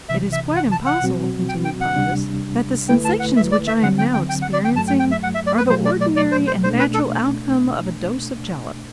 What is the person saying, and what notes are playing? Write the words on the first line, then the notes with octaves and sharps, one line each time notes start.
"It is quite impossible," continued Pybus, "that the sensations which I am now experiencing are the ordinary and natural outcome of a dose of jalap."
C2 C3 E3 E5
E5
F#5
A5
F#5
B2 F#3 C4 F#4
G5
G5
F#5
D2 C3 G3 D4
D2 D3 A3 E4 B4 G5
A5
F#5
E5
D5
E5
D3 F#3 C4 F#5
G5
G5
G5
F#5
D5
G5
G2 F#3 A3 A5
G5
G5
E5
F#5
E5
D5
B4
B2 F#3 A3 C5
D5
D5
D5
C5
C5
C2 B2 A3 D4 C5
B4
A4